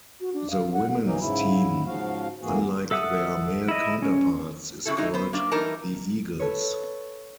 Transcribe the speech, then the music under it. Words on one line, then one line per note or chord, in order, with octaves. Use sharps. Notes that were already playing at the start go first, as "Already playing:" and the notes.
The women's team unlike their male counterparts is called the 'Eagles'.
F#4
D4
F5
F#5
E3 F#3 A#3 D#4
G#2 C#3 E4
G#2 C#3 F3 F#4 F5
F2 G#2 E3 A#3 F#4 G#4
A4 E5 F#5 D#6
E4 D#5
C#4
F#2 C#3 F3 F#3 E4 A4
F#3 G#3 C4 D#4 E4
B3 C5
A#3 D4
E3 G3 D#4 A#4 A5
A4 B4 C#5